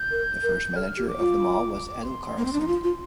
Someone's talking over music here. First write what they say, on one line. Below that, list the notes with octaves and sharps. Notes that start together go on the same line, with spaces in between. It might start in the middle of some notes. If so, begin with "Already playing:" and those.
The first manager of the mall was Eddo Carlson.
Already playing: G6
A#4
A#4
A4 F6
G4
D6
F4
C6
A#3
C4
D4
D#4
F4
F4